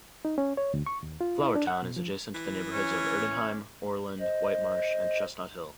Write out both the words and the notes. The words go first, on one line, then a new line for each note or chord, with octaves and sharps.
Flourtown is adjacent to the neighborhoods of Erdenheim, Oreland, Whitemarsh, and Chestnut Hill.
D#4
C#4
C#5
D2
C#6
D#2
F4
E4
D4
F#5
B2
F3
E3
C#4
C5 D#5